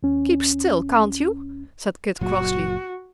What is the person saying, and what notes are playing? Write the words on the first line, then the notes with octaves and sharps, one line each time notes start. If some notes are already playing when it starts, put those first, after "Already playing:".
"Keep still, can't you?" said Kit crossly.
D#2 C#4
F#1 A#2 F#3 F#4